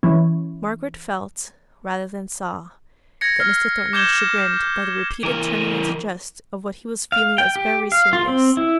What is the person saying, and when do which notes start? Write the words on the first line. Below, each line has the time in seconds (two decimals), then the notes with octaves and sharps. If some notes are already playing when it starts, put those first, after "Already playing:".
Margaret felt, rather than saw, that Mr. Thornton was chagrined by the repeated turning into jest of what he was feeling as very serious.
0.03 E3 C#4
3.21 G#6 A#6 C#7
3.40 F6 C7
3.93 D6 G6 G#6 E7 G7
5.23 E3 A#4
7.12 F5
7.38 G5
7.56 G4
7.92 F5
8.13 F4
8.28 C4
8.57 E4